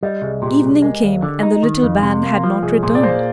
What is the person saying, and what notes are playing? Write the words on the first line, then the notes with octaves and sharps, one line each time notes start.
Evening came, and the little band had not returned.
G3 D#5
C2 G#4
A#2 G4
C2 G#4
G#3 A#4
D#2
D3
D#4
D#3
F2
C3
A#3
F3
C2 G#4
A#2 G#4
D5
A#3 C5